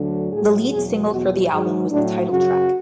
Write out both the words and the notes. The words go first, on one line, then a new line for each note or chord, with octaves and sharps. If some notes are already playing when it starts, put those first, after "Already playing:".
The lead single for the album was the title track.
Already playing: D2 D3 F#3
A2 F#3 G#4
E2 B2 F#3 G#4
E2 B2 F#3 F#4
G#2 F#3
A2 F#3 D4
F#2 C#3 F#3 F#4